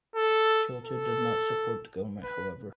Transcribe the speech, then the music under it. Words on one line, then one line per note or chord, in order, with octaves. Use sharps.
Churchill did not support the government, however.
A4
A4
B4